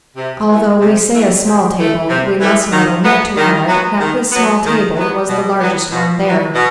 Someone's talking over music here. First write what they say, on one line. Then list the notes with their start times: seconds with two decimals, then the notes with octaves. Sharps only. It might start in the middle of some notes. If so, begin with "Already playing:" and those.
Although we say a small table, we must not omit to add that this small table was the largest one there.
0.17 C3
0.49 E3 A3
0.80 C3
1.13 E3 A3
1.44 C3
1.77 E3 A3
2.08 C3
2.40 E3 A3
2.72 D#3
3.04 F#3 B3
3.37 D#3
3.68 F#3 B3
4.00 D#3
4.32 F#3 B3
4.65 D#3
4.96 F#3 B3
5.28 B2
5.60 F#3 B3
5.91 B2
6.24 F#3 B3
6.55 B2